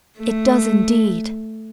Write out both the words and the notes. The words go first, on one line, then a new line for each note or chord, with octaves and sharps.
It does indeed.'
A3